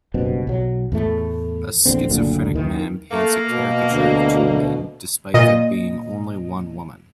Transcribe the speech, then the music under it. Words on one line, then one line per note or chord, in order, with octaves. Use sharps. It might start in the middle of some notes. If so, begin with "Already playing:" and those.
A schizophrenic man paints a caricature of two men despite there being only one woman.
F#1 G2 B2 C4
B1 F#3
E2 A2 A3
A#1 E2 D3 C4
F#1 D2 A#2 D3
D#2 D#3 E3
A3 A#3
B2
D2
A#2 D#5